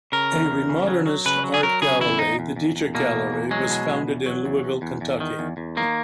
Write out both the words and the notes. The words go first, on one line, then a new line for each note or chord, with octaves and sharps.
A Remodernist art gallery, The Deatrick Gallery was founded in Louisville, Kentucky.
C#3 A#4
E2
E2
C#3
F#3
F#3
C#3 B4
F#3
G#4
F#3 A#4
C#3 G#4
E2 E4
E2 D#4
E2
E2
E2
B2 A#3
E2
E2
F#3 G#3
B2
E2
E2
F#3
E2
E2
E2
E2
D#3
E2
E2
D#3 A#3